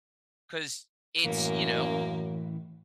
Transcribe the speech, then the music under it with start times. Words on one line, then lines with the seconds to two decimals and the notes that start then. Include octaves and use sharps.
'cause it's, you know,
1.25 F#2 A2 E3 A#3